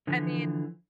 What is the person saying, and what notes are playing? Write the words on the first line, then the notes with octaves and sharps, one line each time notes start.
I mean
D3 E3 F3